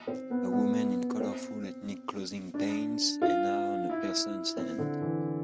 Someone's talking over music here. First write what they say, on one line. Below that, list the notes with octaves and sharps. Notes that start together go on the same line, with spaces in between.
A woman in colorful ethnic clothing paints henna on a person 's hand.
C4
B3
B3
C4
D4
F4
E4
C4
D3
E3